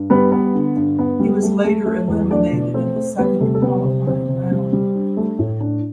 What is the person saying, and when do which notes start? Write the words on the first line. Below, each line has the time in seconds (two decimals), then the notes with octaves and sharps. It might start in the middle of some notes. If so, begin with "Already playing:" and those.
He was later eliminated in the second qualifying round.
Already playing: G2
0.10 G3 B3 B4
0.32 B3
0.54 D3
0.76 G2
0.99 B3
1.20 G3
1.43 A3
1.64 A3
1.86 A3
2.08 E2
2.30 A3 D4 D5
2.52 B2
2.74 A3 C4 C5
2.96 A3
3.18 G3 B3 B4
3.40 C3 A3 A4
3.54 A4
3.62 G3 B3 B4
3.84 C3 C4 C5
4.07 C3 C4 C5
4.29 C3
4.51 G3
4.73 G3
4.95 D4
5.17 A3
5.39 A2
5.60 D4